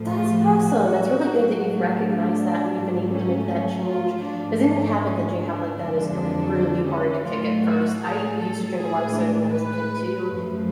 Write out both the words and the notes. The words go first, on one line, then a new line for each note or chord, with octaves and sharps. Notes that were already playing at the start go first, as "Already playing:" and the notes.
That's awesome. It's really good that you've recognized that and you've been able to make that change, as any habit that you have like that is, uh, really hard to kick at first. I used to drink a lot of soda when I was a kid too,
Already playing: A2 F3 A3
F4
F#4
A2 F#3 A3
D4
G#2 F#3 A3
C#4
C#4
F4
G#2 F3 A3 D4
C#4
C#4
D4
F2 D3 F3 G#3 D4
D4
C#4
A2 F#3 A3 F4
F#4
G#4
A4
A2 G#3 G#4
D4
B4
F#2 F3 A3